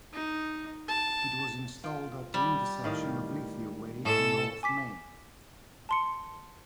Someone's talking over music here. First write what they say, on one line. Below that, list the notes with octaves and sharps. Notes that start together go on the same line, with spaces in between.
It was installed at the intersection of Lithia Way and North Main.
D#4
A5
F4 G5
G3
A2 D#3 F5
A2 G#3 A4 E7
G#5 D6 B6
A5 C6 C#7